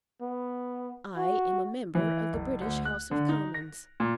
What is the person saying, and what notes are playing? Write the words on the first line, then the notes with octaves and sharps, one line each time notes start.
I am a Member of the British House of Commons!
B3
F#4
E3
F#1
D2
F#6
D3
D#4
A#6
A#2